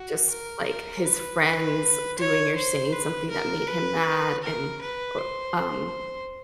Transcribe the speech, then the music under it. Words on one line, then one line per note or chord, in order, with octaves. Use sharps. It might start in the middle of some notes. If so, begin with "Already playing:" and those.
just like his friends doing or saying something that made him mad and or, um,
Already playing: F#4
A#4
A#4
B4
B4
C#5
C5
B4
A#4
B4
A#4
B4
C5